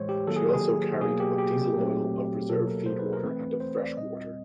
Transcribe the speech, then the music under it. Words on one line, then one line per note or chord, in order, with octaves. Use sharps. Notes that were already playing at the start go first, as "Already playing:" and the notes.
She also carried of diesel oil, of reserve feed water and of freshwater.
Already playing: A2 E3 G#3 C5 C#5
G4
D#3 F#3 A#3 A4
G#4
G4
G#4
B2 F#3 A#3 G#4
G4
G4
A#2 F#3 A3 C4
B2 F#3 A#3 A4
A#4
C5
B4
A#4
E3 A3 C4 B4
C5
D5
A#2 G3 C4 D#5